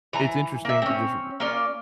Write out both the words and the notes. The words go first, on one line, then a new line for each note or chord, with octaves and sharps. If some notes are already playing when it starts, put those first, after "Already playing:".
it's interesting to just r r
E3 G#5 A#5
A#3 E5
C4 C#4
A#3 C#4 F4 D5